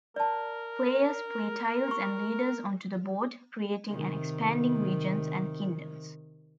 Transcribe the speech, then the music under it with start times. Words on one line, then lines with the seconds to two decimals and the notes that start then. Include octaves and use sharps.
Players play tiles and leaders onto the board, creating and expanding regions and kingdoms.
0.16 A#4 D5 A5
1.88 G4 C#6
3.91 C3 D#3